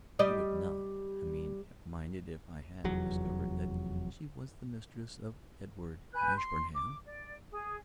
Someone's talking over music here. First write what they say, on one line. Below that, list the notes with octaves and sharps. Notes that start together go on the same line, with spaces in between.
She would not, I mean, have minded if I had discovered that she was the mistress of Edward Ashburnham.
G3 D5 D#5
F1 E2 F#3
B4 G#5 F#6 G6
C6
D6
D5
G#4